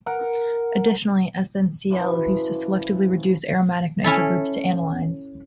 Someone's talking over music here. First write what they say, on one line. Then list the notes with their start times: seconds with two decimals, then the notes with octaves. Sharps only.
Additionally, SnCl is used to selectively reduce aromatic nitro groups to anilines.
0.06 A#4 F#5
1.90 F#2 E3 F3 D6
4.04 C#4 E4 A4